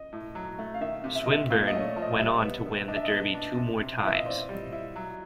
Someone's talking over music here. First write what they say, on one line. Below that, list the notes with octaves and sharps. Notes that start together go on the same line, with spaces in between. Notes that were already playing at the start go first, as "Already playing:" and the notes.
Swinburn went on to win the Derby two more times.
Already playing: D#5
A2
F#3
A3
F5
D#3 E5
C3
E5
D#5
D#3 E5
A#2 F5
D#5
A3 C#5
D5
F3
D#5
F5
G3 E5
B3
D#3
D4 D#5
E5
D#5
B3
D4
C3
C3
F5
E3 E5
D#5
C4 D5
G3
E4
F#3